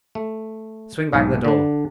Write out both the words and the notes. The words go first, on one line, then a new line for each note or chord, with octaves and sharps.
Swing back the door.
A3
B1 G#2
D3 D4